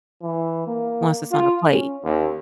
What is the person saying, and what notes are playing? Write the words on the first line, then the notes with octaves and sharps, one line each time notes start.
once it's on the plate.
E3
A#3
F4
C#4
D#2